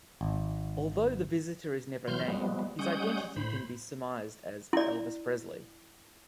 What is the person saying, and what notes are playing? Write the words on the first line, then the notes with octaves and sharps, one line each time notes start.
Although the Visitor is never named, his identity can be surmised as Elvis Presley.
G#1
B2 E3 F#3 C6 F6 G6
F3 G3 G#3 B3
G3 G#3 C#4 F#5 D#6 G6
A2 C5 B5
E4 D5